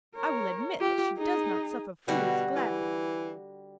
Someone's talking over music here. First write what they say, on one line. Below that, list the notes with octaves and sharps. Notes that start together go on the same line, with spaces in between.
I will admit that she does not suffer fools gladly.'
A#4 C#5
F4 G4
D#4 G#4
B2 D3 G3 F#4
E3